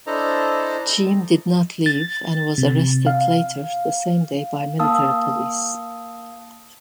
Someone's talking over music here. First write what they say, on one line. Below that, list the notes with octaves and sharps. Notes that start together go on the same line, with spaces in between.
Cheam did not leave, and was arrested later the same day by military police.
D4 E4 A4 C5 D#5 A#5
A6
C3
F5
A#3 F5 A5 D#6 E6